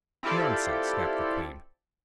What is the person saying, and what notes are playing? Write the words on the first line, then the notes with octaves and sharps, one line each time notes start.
'Nonsense!' snapped the queen.
C4 E4 F4 G4 A4 D5